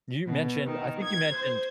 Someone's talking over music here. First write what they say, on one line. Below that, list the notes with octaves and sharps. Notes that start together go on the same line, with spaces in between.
You mentioned, I think you mentioned
B2
D#3
G#6
C5